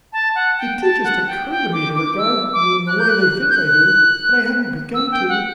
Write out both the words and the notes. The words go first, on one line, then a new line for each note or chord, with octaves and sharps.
It did just OCCUR to me to regard you in the way they think I do, but I hadn't begun to.
A5
F#5
G5
A5
F#5
G5
G5
D6
D6
E6
D6
F#6
G6
F#6
G6
F#6
E6
G5
F#5